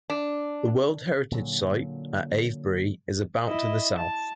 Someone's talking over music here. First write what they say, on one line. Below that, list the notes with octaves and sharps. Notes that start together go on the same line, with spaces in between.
The World Heritage Site at Avebury is about to the south.
D4
A#2 D3 F#3
E4 D#5
A5